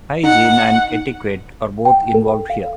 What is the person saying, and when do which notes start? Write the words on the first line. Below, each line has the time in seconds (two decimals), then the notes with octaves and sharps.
Hygiene and etiquette are both involved here.
0.24 D#4 F#5
1.85 G5
2.14 A4
2.50 F5